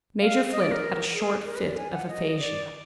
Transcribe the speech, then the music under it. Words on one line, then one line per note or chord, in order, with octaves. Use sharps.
Major Flint had a short fit of aphasia.
F5
D#5
D5
A#4
G#4
A#4
B4
D5
G#5
F#5
D#5
D#5
D5